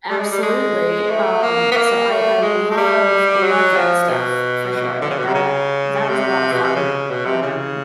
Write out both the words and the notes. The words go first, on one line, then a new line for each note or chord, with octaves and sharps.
Absolutely, um, so, I I love, love that stuff, for sure, like that that was a lot of fun, um,
G3
G#3
G3
G#3
A3
A#3
B3
A#3
A3
G#3
G#3
G3
F#3
F3
B2
B2
D3
C#3
B2
C3
C#3
C3
B2
C3
C#3
B2
C3
C#3